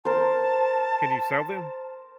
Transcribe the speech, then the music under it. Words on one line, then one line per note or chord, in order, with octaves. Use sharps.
Can you sell them?
A#4 C5 A5